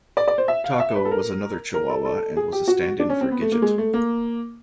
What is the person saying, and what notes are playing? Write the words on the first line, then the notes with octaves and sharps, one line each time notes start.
Taco was another Chihuahua and was a stand-in for Gidget.
D5
D5
C5
E5
F5
E5
B4
A4
A#4
A#4
A4
A4
G#4
G4
F#4
D4
C#4
C4
B3
A3
A#3
G#3
A3
A#3